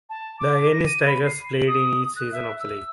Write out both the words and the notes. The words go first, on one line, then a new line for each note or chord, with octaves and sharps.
The Ennis Tigers played in each season of the league.
A5
D6
A#6
D#7
B5
C7
F#7
D#6
F#6
E5
E6